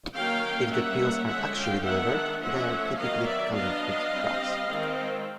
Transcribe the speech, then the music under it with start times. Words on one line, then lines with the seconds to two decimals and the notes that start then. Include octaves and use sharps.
If the pills are actually delivered, they are typically counterfeit drugs.
0.14 D#3 F#3 A#3 C#4 F5 G5
0.71 G3 A#3 C#4 E5 F#5
1.27 D3 F3 G#3 C#4 E5 F#5
1.56 F5 G5
1.84 D#3 G#3 B3 D4 E5 F#5
2.41 F3 A3 C#4 E5 F#5
2.97 D#3 F#3 B3 D#5 F5
3.26 D5 E5
3.53 F#3 B3 D4 D#5 F5
4.10 G3 C4
4.66 D#3 G#3 C4